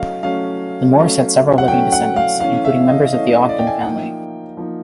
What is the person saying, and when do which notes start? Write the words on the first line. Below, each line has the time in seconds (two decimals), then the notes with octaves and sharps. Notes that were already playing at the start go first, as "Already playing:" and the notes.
The Moores had several living descendants, including members of the Ogden family.
Already playing: F#3 A3 C#4 D#5 F5
0.23 F#3 A3 C#4 F5
0.96 F#3 A3 C#4
1.58 F#5
1.68 F#3 A3 C#4 G5
1.92 F#5
2.16 F5
2.40 E3 A3 C#4 F5
2.65 E5
2.88 D#5
3.13 E3 A3 C#4 D#5
3.31 D#5
3.49 D5
3.59 G5
3.67 G#5
3.81 F#5
3.85 F3 A#3 D#4 G5
4.57 F3 A#3 D#4